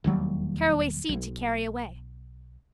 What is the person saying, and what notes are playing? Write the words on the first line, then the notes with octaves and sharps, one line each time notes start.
Caraway seed to carry away.
E1 D#2 F#3 G3
B1